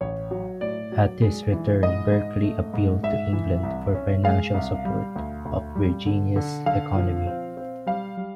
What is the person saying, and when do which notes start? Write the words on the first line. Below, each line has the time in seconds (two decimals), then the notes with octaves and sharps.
At his return, Berkeley appealed to England for financial support of Virginia's economy.
0.01 A1 C#5
0.31 F#3
0.61 A2 D5
0.92 F#3
1.22 G#3
1.52 E3
1.83 G#2 D#5
2.12 G#2
2.42 A3
2.74 G#2
3.03 G#2 E5
3.33 E3
3.63 C2
3.94 C#4
4.24 G#3 F5
4.54 C2
4.85 G3
5.16 D2
5.45 D2
5.75 G3
6.06 D3
6.36 D3
6.66 D3 F5
6.96 F3
7.27 C4
7.57 C4
7.86 G3 F5
8.17 G3